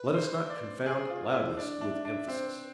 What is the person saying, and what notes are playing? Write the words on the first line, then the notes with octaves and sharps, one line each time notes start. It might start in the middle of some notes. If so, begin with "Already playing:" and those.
Let us not confound loudness with emphasis.
Already playing: B4
C5
D5
G#4 C5
F4 B4
E4 C5 D5
D4 D5 E5
D4 E5
D4 E5
C4 C5
B4